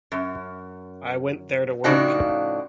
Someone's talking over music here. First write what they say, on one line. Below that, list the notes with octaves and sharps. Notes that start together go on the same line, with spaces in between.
I went there to work.
F#2
A2 C#3 F3 D4 D#4 F#4